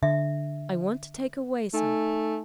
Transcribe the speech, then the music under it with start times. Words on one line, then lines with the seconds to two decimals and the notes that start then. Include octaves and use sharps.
I want to take away something.'
0.03 D3 E5
1.74 A3 D#4 G#5